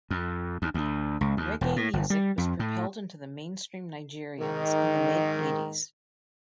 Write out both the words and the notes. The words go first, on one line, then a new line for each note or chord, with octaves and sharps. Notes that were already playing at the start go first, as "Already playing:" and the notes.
Reggae music was propelled into the mainstream Nigerians in the mid eighties.
F2
D#2
D2
C#2
D#2
E1
A2
G1
G3
F2
A2
G#2 D#3